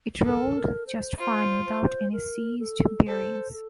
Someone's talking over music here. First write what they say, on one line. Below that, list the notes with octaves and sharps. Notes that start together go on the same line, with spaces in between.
It rolled just fine without any seized bearings.
A4 A#4
A#4
C5
F4 C5
C5
A#4
A4
A4 C5
A4